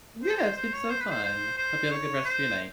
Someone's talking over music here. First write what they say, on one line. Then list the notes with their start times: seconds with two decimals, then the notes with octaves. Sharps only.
Yeah, it's been so fun. Hope you have a good rest of your night.
0.23 C5
0.56 C5
0.74 C#5
0.90 C5
1.00 B4
1.10 C5
1.23 C5
1.58 C5
1.91 C#5
2.25 C5